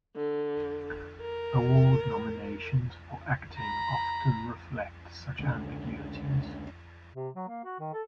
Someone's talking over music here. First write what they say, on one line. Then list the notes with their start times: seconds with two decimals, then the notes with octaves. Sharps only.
Award nominations for acting often reflect such ambiguities.
0.16 D3
1.21 A#4
3.58 A#5 B5
5.39 C#2 D3
7.15 C3
7.36 F#3
7.48 A#3
7.65 F#4
7.80 D#3
7.93 A4